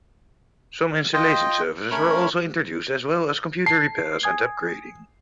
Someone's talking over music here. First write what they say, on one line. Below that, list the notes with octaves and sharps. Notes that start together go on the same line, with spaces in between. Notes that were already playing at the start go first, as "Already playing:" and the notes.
Some installation services were also introduced as well as Computer repairs and upgrading.
F4 D#5 G5
A3 C#4 A#4 C#5 B5
A5 C7
G#5 D#6 G#6